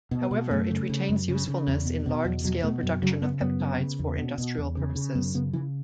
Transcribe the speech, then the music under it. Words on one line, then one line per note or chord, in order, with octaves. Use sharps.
However, it retains usefulness in large-scale production of peptides for industrial purposes.
B2
B3
B2
F#2 A3
C#3
C#3
F#2
C#3
C#3
E2
B2
B2
E2 F#3
B2 F#3
B2 A3
F#2
C#3 F#3
C#3 B3
F#2 B3
C#3
C#3
E2
B2
B2
E2
C#3
C#3
F#2 B3
C#3 B3
C#3 E3